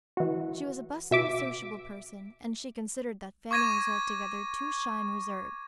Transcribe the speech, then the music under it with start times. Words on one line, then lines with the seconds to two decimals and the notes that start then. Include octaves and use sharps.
She was a bustling, sociable person, and she considered that Fanny was altogether too shy and reserved.
0.17 E3 F#4
1.11 B2 E5 D6
3.51 C#6 D6 G#6 A#6 D#7